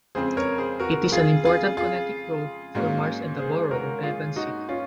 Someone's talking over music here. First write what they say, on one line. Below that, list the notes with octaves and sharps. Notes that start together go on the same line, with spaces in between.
It is an important connecting road for Mars and the borough of Evans City.
F2 C#3 G#3 C4 G#4 C5
A#4 C#5
G#4 C5
F#4 A#4
F4 G#4
F4 G#4
F4 G#4
G#2 F#3 A#3 C#4
G#4 C5
F#4 A#4
F4 G#4
D#4 F#4
C#4 F4